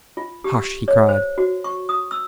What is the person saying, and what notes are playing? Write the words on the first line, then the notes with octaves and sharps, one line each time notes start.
"Hush!" he cried.
F4
G4
C#5
C5
F#4
C#6
D#6
E6